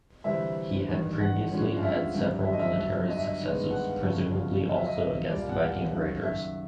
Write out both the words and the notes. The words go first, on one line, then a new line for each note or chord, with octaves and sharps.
He had previously had several military successes, presumably also against Viking raiders.
D2 C3 E3 G3 C4 E5
A1 G2 D#3
F#5
G2 D3 F3 G#3 C#4
F5
E5
G#1 F#2 D3 G3
E5
D#5
E5
G1 G2 D3 F#3
D#5
E5
D#5
G2 D#3 G#3 B3
F#5
F5
G1 F2 C#3 F#3 A3
F5
D2 D3 F#3 F5
E5
D#5
E5
C2 A#2 G3 A#3 D5
F5
F#5
F5
F#1 F#2 D#3
E5